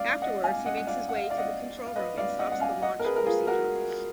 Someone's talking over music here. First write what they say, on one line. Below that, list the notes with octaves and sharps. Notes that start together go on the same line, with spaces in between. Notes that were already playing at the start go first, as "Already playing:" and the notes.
Afterwards he makes his way to the control room and stops the launch procedure.
Already playing: D5 F5
D#5 F#5
F5 G#5
D#5 F#5
F#5
D5 F5
F#5
F5
D#5
D5 F5
D#5 F#5
F5
B4 D#5
D5 F5
D#5 F#5
F#5
F5 G#5
D#5 F#5
A#4
G#4 B4
A#4
F4 G#4
F#4 A#4